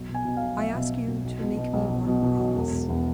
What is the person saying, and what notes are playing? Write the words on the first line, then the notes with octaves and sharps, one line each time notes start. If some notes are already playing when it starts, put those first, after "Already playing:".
I ask you to make me one promise.
Already playing: B1
B2
G#5
B2
F5
B1
B1 E5
B2
B2
B1
B1
B2
B2
B1
B1
B2
B2
B1
E1
E1
E2